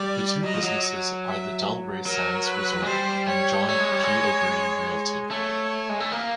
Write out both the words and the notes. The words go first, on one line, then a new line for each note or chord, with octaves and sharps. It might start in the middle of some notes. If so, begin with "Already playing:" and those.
The two businesses are The Delray Sands Resort and John P O'Grady Realty.
Already playing: G3 D5
F#3 D#5
F3
F#3
E5
F#3 A#4
B4
G#3
G3 C5
C#5
A3 C#5
G#3
G3
G#3
A3 C#5
G#3
A3
A#3